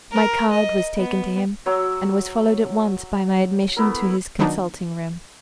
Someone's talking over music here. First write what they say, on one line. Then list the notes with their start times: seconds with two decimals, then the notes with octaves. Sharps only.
My card was taken to him, and was followed at once by my admission to his consulting-room.
0.11 A#4
0.51 D#5
0.96 B3
1.66 F#3 C#5 D6 E6
3.77 A3 B3 E4 A#4
4.39 D#3 F#3 B3 D4 D#4